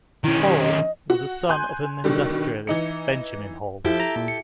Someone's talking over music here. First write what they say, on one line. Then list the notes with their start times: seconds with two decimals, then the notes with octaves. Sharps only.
Hall was a son of an industrialist Benjamin Hall.
0.24 D#3 C#4 E4
0.44 G4
0.60 D#5
1.10 F#4
1.49 G#5 C6 F#6 G6
2.04 B2 D3 D#3 G3
2.67 E3 D#4 C#7
3.85 F3 E4 G4 A4
4.00 A#5
4.16 A#2
4.28 C#7